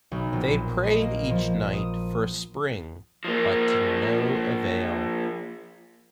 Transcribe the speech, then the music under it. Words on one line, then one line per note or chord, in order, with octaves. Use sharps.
They prayed each night for a spring, but to no avail.
B1
A#1
D#5
A#3
F3
D#6
F3 A#3